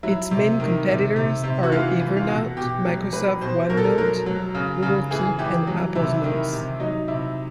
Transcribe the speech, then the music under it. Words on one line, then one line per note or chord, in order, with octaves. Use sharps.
Its main competitors are Evernote, Microsoft OneNote, Google Keep and Apple's Notes.
F#3 E4
C3
D#3
C3
C3
C3
F#4
E3 F4
E3
F4
B2 F#4
B2 G4
F#3
F#3 B4
B2 C5
B2 A#4
A4
A#4
F#3 A#4
F#3
C#3
C#3
E3 G#4
E3 G4
F#3
C3 E4
D#3 E4
C3
F#3 D#4
C3 E4